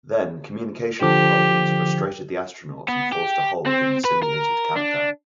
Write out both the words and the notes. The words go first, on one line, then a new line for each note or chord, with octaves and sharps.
Then, communications problems frustrated the astronauts and forced a hold in the simulated countdown.
D3 F3 G4 D6
B3
G4
C4
B4
A#4
D4